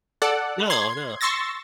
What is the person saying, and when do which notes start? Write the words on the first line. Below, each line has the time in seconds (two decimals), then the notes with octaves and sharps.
No, no.
0.22 A4 D5 F#5
0.70 C6 G#6
1.21 C6 C#6 E6 A6 A#6